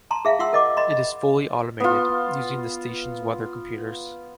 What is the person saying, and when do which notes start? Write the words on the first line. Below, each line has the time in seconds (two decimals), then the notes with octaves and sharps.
It is fully automated, using the station's weather computers.
0.11 A5 A#5 C6
0.25 G#4 E5 F5
0.39 F4 F#5 C6 E6
0.53 A#4 D#5 D6
0.77 D#5 B5 C6
0.91 D#5
1.80 B3 F4